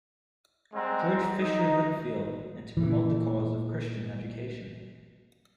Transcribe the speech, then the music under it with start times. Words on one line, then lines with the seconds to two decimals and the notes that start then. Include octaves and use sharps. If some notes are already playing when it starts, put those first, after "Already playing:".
George Fisher Linfield, and to promote the cause of Christian education.
0.74 G3 G#3 C4 F#5 A#5
1.39 D#4
2.77 A#2 E3